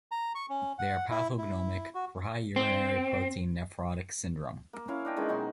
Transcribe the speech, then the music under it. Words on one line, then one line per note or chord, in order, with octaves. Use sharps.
They are pathognomonic for high urinary protein nephrotic syndrome.
A#5
C#6
C#4
F#5
E4
E4
F#4
C4
A#3
C#4 E4 F5
D4 D#5 G5
D#3 E3 G#3 C#4
B2 F#3 D#4 C6